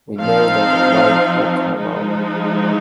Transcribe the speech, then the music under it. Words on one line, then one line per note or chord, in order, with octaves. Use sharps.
We know that the light will come on.
F3 C4 D#4 F5
F3 G#3 D#4